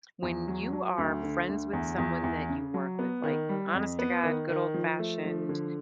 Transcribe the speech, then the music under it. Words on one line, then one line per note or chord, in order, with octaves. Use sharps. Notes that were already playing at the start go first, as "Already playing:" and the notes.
when you are friends with someone that you work with- like, honest to God, good old-fashioned
E2
F#3
F#3
D2
D3
D2
E2
E2
E2
C#3
F#3
B3
D#3
G3
F2
B3
D#3
D#3
F3
A3
F3
D3